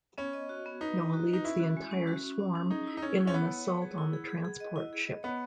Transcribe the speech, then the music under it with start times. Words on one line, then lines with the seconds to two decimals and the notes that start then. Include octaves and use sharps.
Noah leads the entire swarm in an assault on the transport ship.
0.18 B3 C#4
0.33 D#5
0.49 F#4
0.66 B3
0.81 D#4 B4
0.98 D#5
1.14 F#4
1.29 D#4 B4
1.44 C#4 E4
1.60 F#4
1.77 G#3
1.91 C#4
2.07 F#4
2.23 C#4
2.39 C#4
2.55 C#4
2.70 D#4 G#4
2.87 E4
2.97 D#4
3.02 C#4 G#4
3.18 E4
3.27 C#4
3.34 B3 C#5
3.50 C#5
3.66 C#5
3.82 G#4
3.98 E4
4.13 G#4
4.29 G#4
4.45 G#4
4.60 D#5
4.76 E4
4.93 G#4
5.07 D#5
5.23 B3 C#5